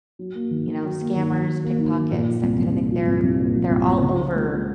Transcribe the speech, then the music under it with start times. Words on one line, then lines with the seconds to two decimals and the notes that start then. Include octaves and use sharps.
you know, scammers, pickpockets, that kind of thing, they're they're all over
0.19 F#3
0.35 A#3
0.51 D#3
0.67 D#3
0.83 F#3
1.00 A#3
1.16 D#3
1.32 D#3
1.48 F#3
1.64 A#3
1.79 D#3
1.95 D#3
2.12 A#2
2.27 F3
2.43 C2
2.59 C2
2.75 A#2
2.92 F3
3.07 C2
3.23 C2
3.39 A#2
3.56 F3
3.71 C2
3.88 C2
4.03 C#3
4.20 F3
4.35 G#3